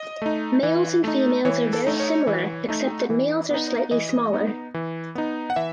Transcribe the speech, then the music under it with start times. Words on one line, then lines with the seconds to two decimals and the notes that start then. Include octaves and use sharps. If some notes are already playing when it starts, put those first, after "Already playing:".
Males and females are very similar except that males are slightly smaller.
Already playing: D#5
0.22 A3 D#4
0.63 E3
1.04 A3 D#4
1.45 E3 C#5
1.73 A4
1.87 A3 D#4
2.00 C#5
2.27 E3
2.69 A3 D#4
3.10 E3
3.50 B3 D#4
3.91 E3 D#5
4.33 B3 D#4
4.74 E3
5.15 B3 D#4
5.50 F#5
5.56 E3 E5